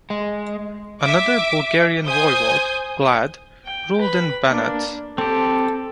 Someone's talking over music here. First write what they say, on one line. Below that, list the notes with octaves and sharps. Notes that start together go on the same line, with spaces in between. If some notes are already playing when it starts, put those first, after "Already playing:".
Another Bulgarian voivod, Glad, ruled in Banat.
G#3
E5 D6
C5 G#5 D#6 G6
G5
B4 B5
A#3 D4
C4 G4 A4